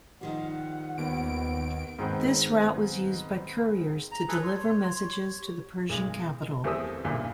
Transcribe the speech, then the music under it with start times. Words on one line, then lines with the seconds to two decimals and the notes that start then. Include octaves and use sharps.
This route was used by couriers to deliver messages to the Persian capital.
0.21 D#3 F3 G3 F#5
0.98 D#2 B3 D7
1.99 G#2 D#3 B3 C4
4.12 A#5
4.28 G#4 A4 B4
4.42 C#5 C6
5.39 G4
5.90 B1 G#3
6.64 E2 A3 C4 G4 D#6 E6
7.05 B1 E2 G2 A#2